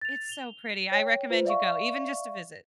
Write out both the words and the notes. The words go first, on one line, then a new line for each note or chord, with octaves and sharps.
It's so pretty, I recommend you go, even just to visit.
A6 F7
F7 G7
C#5 G5
F4 B4 C5
D5 E5 F5 C#6